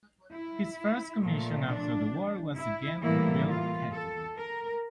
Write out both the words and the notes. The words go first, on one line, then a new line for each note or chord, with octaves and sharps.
His first commission after the war was again for Will Catlin.
E4
A#2 F3 A3
D4
E4
A2 E3 G3 A#3 E4
F4
A4
A#4